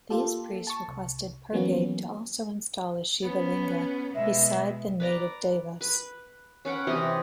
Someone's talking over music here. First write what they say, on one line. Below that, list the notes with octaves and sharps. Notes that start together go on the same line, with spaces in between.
These priests requested Pergade to also install a Shivalinga beside the native Daivas.
A#3 F4 G4 A4
A5 C#6
C2
E3 F#3 A#3 B3 C#4 F#4
B3 C#4
B2 G#3 E5
B4 D5 A#5
B4
C#4 B4 F#5 G5
C3 E3 G4 D#5